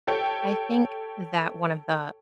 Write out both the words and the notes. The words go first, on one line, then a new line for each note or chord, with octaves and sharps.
I think that one of the
G4 A4 C#5 G5